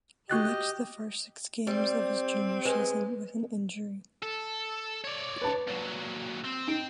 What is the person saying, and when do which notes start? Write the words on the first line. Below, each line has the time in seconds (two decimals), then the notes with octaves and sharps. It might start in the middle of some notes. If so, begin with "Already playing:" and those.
He missed the first six games of his junior season with an injury.
0.30 F#4 G4 D#5 F#6 A6
1.67 G3 C4
2.65 G#3 B4
4.22 A4
5.04 C#5 D5
5.41 B4 A5
5.68 A#2 F#3
6.44 C4
6.68 C4 D#4 G5